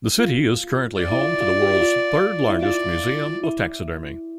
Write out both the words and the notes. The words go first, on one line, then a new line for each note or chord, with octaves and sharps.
The city is currently home to the world's third largest museum of taxidermy.
F4
D5
E4
F4
F4
G4
F4
E4
F4 D5
E4